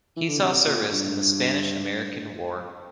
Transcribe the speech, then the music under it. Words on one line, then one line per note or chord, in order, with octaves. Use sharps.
He saw service in the Spanish-American War.
E3
D3
C3
A#2
G2